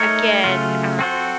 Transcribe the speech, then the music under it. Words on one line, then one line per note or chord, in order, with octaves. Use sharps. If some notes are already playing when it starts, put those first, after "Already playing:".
again, um,
Already playing: A3 D#4 A#4 C#5
C#3 F#3 A3 C#4 F4
C4 F#4 A4 C5